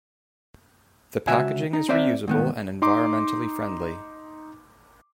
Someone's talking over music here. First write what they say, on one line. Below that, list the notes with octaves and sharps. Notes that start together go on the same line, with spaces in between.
The packaging is reusable and environmentally friendly.
C#2 F#4 E5 G#5
D#4
C4 C5 D5 E5
G#2 D#3 B3
D#4 C6 D6